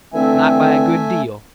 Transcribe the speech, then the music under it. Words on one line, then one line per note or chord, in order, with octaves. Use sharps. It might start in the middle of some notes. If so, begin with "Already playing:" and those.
Not by a good deal.
D3 E3 A3 C4 E5 G#5